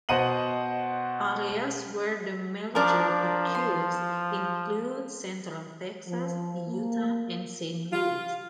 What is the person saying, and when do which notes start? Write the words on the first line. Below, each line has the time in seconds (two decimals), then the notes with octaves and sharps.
Areas where the merger occurs include central Texas, Utah, and Saint Louis.
0.09 B2 C5 D#5 F#5 D#7 F#7
2.75 F3 D4 A#4
3.55 C6
6.07 F3
6.68 A#3
7.93 F4